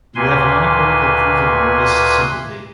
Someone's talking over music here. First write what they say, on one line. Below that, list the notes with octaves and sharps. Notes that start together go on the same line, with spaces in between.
You have an unequivocal proof of nervous sympathy.
D2 A#2 B4 G#5 C6